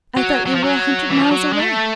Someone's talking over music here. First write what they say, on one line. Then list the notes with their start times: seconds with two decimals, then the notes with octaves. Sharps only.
I thought you were a hundred miles away.
0.17 F#3
0.46 F#3
0.54 F3
0.63 F#3
1.09 E3
1.20 F3
1.31 F#3
1.53 G#3
1.59 A3